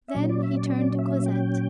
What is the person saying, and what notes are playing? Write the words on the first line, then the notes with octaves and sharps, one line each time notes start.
Then he turned to Cosette.
E5
A#2 F#3 C#4 D5
D5
E5
D5
D5
E5
G5